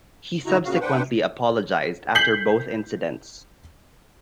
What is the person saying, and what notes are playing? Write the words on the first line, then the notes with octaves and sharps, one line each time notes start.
He subsequently apologized after both incidents.
D3 D#4 E4 F#4 A#5
A#2 C#3 F#4 F5
D4 B4 C5 F#5 G5
G6 B6 C7 F#7